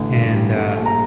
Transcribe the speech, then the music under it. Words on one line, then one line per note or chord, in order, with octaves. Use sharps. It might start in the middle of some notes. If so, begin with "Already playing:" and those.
And, uh.
Already playing: A1 D3
G2
G3
A3
A#1
A#5